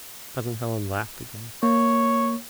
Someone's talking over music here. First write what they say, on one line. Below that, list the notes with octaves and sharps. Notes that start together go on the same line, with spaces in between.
Cousin Helen laughed again.
A#3 C#5